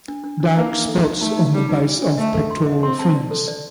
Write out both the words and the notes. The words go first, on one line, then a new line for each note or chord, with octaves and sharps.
Dark spots on the base of pectoral fins.
D4
D4
D4
A#3 D#4
D#4
A4
D#4
A3 D#4
D#4
G3 D#4
D#4
D4
D4
A3 D#5
A4
C6
D#5
C4 C6
A5
D5
A4
D5